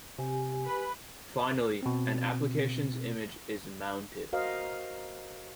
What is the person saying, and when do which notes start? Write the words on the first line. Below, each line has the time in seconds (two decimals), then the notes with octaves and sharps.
Finally, an applications image is mounted.
0.19 C3 G4 G#5
0.65 B4 B5
1.83 B2 C4
4.33 F#4 A#4 C5 D#5 F5